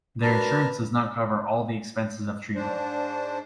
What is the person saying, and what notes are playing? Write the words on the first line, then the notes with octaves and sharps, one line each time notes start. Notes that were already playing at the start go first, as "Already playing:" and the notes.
Their insurance does not cover all the expenses of treatment.
D4 F#4 A#4 B4 A5 A#5
G#2 D4 C5